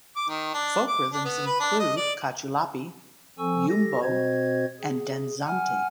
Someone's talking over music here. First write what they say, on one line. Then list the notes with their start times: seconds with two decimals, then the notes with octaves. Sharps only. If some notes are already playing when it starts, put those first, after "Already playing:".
Folk rhythms include "cachullapi", "yumbo", and danzante.
0.16 D6
0.29 D#3
0.54 D4
0.88 D6
1.12 D4
1.25 B3
1.46 B4
1.60 D4
1.79 D#5
1.97 D5
3.38 F3 C4 A4 G#5 C#6 E6
3.68 G4 A4 A#6
4.02 B2 C4 F#4 C5 D#5 G#6
4.80 G#4
5.46 F#5 G#5 F6